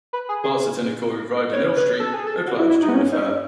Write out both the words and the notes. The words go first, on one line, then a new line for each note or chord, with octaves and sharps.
Parts of Tinakori Road and Hill Street are closed during the fair.
B4
G#4
G#4
C#5
B4
A4
G#4
A4
F#4
E4
E4
D#4
B3
C#4
D#4
C#4